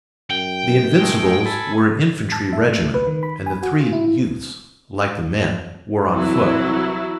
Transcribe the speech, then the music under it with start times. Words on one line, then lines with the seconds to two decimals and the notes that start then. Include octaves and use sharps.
The Invincibles were an infantry regiment and the three youths, like the men, were on foot.
0.30 F#2 G5
1.00 A2 G#3
1.46 A4 G#5 B5
2.32 A5
2.53 E5
2.68 A3
2.81 C#2
2.94 B4
3.07 D#3
3.23 B5
3.46 G#5
3.63 F#4
3.80 F4
3.93 E4
6.13 C2 E3 F#3 E4